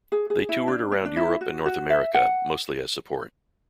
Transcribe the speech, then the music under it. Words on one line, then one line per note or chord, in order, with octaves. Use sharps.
They toured around Europe and North America, mostly as support.
G#4
G#4
E4
D4
D4
D4
E4
F#4
F#4
E5
F#5